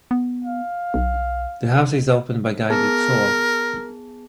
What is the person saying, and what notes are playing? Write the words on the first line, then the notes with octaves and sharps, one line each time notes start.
The house is open by guided tour.
B3
F5
B1
B3 G#4 A#4 A5